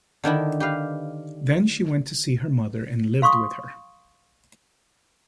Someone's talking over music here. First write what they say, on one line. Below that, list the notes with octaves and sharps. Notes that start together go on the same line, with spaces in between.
Then she went to see her mother and lived with her.
D3 D#3 D4 E4
G4 B4 F5
F5 C6 C#6 D#6